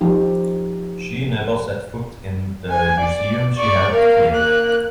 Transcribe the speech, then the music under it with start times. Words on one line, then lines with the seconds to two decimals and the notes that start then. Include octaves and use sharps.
She never set foot in the museum she helped create.
0.01 F3 D#4 G4
2.68 G#5
2.99 D5
3.55 D5 C#6
3.91 A#4 F5
4.30 A#3 F#6